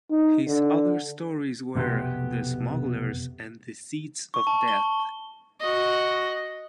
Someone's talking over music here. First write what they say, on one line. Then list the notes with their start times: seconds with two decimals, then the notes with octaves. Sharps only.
His other stories were "The Smugglers" and "The Seeds of Death".
0.11 D#4
0.47 D3
1.75 B1 F2 C3 B3 G4
4.34 C#6
4.47 A5
4.68 G7
5.60 F#4 D#5